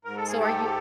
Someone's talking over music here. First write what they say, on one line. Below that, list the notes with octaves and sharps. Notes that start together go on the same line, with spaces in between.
so are you
G#2 A#4
A4
G#4
A3 G4 A4